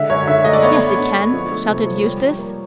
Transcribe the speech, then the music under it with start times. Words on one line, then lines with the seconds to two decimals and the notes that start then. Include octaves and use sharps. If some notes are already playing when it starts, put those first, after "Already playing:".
"Yes, it can," shouted Eustace.
Already playing: D3 G#3 E5
0.10 F#2 C#5
0.27 D3 E5
0.45 A3 D#5
0.53 D5
0.62 B3 C#5
0.80 B3
0.98 D4
1.16 B3
1.33 F3
1.51 A3
1.68 C3
1.86 F3
2.03 G3
2.22 G3
2.39 A#3